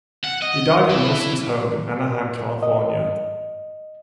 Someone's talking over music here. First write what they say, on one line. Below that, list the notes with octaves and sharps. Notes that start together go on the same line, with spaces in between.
He died at Nilsson's home in Anaheim, California.
F#5
D#5
E3
D#5